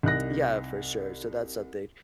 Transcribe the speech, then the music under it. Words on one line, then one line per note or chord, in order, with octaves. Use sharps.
yeah, for sure, so that's something
C2 D#4 F#6 A#6